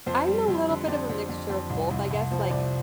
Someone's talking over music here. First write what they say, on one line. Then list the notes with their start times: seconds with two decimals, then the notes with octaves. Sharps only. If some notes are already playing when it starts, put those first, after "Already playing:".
I'm a little bit of a mixture of both, I guess, like,
0.06 F2 C5
0.28 G3
0.48 F2
0.68 D3
0.88 F2 D5
1.09 F2
1.29 F2
1.50 F2
1.70 C2
1.91 C2
2.11 C2
2.31 F3
2.51 C2 D5